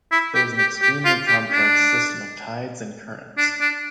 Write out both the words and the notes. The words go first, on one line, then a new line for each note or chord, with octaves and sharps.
There is an extremely complex system of tides and currents.
E4
G4
G4
G4
F4
G4
D4
D4
D4